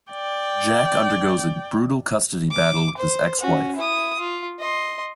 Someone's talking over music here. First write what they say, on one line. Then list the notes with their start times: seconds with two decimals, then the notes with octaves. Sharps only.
Jack undergoes a brutal custody battle with his ex-wife.
0.11 D5 G5
2.51 D6
2.98 C5
3.41 C#4 F#4
3.76 E4 D#6
4.19 F4
4.59 D#5 C6